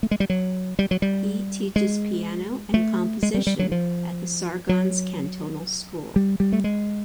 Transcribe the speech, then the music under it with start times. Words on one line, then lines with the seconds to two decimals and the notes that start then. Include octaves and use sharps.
He teaches piano and composition at the Sargans Cantonal School.
0.03 A3
0.11 G#3
0.20 G3
0.30 F#3
0.79 G3
0.91 F#3
1.02 G3
1.76 G#3
2.74 A3
3.23 G#3
3.34 G3
3.47 G3
3.59 F#3
3.72 F3
4.69 F#3
6.16 G3
6.40 G3
6.52 A3
6.64 G#3